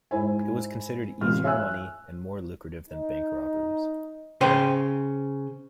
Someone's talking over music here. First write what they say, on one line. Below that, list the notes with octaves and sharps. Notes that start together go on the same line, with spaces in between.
It was considered easier money and more lucrative than bank robberies.
G#2 E4 C5 G#5
A1 F4 F6
C#5 E5 G#5 E6 F#6
D#4
C#3 C5 G5 G#5